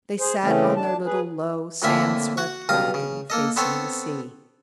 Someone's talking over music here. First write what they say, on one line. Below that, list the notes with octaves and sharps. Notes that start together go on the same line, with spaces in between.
They sat on their little low, sand-swept balcony, facing the sea.
G#4 C5
C#3 E3 A3 C4 C#4
D4 A5
G#4 B4
F2 A2 D3 A#3 E5 G#5
F#4 F#5 C#6
B1 G2 F5 A#5 D#6
C#3
A#3 A4 D#5
B3 C4 A4 C5 C#5